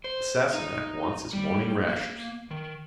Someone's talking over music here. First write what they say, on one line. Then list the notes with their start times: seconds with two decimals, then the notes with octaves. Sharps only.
The Sassenach wants his morning rashers.
0.04 C5
0.53 D#4
1.33 G3
1.88 A#3
2.51 D#3